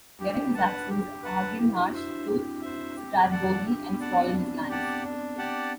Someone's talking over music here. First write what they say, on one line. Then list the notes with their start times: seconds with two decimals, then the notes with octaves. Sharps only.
During his absence Argyll marched to Strathbogie and spoiled his lands.
0.19 D4 G4
0.54 B4 F#5 A5
0.89 G4
1.23 B4 F#5 A5
1.58 E4 G4
1.75 D4 F#4
1.92 E4 C5 E5
2.09 D4
2.27 C4 G4
2.61 C5 E5
2.96 G4
3.31 D5 F#5 A5
3.65 D4 G4
3.89 B3
4.00 D5 F#5 A5
4.12 C4
4.34 D4
4.69 G4 D5 F#5 A5
5.04 D4
5.38 G4 D5 F#5 A5